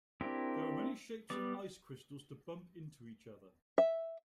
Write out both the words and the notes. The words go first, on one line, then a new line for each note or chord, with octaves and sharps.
There are many shapes of ice crystals to bump into each other.
C4 D4 E4 G4 A#4
G3 B3 D5
E5